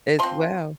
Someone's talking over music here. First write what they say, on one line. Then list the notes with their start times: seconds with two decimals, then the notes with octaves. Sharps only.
as well.
0.19 F3 C4 C6